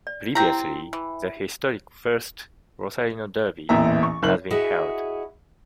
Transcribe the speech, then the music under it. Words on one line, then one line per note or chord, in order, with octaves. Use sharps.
Previously, the historic first Rosarino derby had been held.
D5
C4 E4 G4 G5 A#5
E3
A1 E2 A#2 E5 A#5
C#6
F#1 F#7
E4 F#4 G#4 D#5 E5